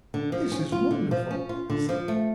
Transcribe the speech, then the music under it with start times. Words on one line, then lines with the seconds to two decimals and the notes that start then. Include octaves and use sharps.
"This is wonderful," I said.
0.14 D3
0.32 F3
0.52 C#4
0.72 F4
0.91 D3
1.11 F3
1.31 C#4
1.49 F4
1.70 D3
1.89 F3
2.08 A3